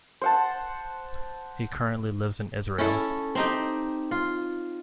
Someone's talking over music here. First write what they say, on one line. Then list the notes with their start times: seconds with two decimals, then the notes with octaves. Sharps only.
He currently lives in Israel.
0.21 C5 F#5 A5
2.78 C#4 E4 A4
3.35 C4 D#4 G4
4.11 F4